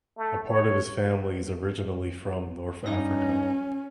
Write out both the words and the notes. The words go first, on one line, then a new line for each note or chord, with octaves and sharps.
A part of his family is originally from North Africa.
A3
C#5
G2 C#4 D#4 A#6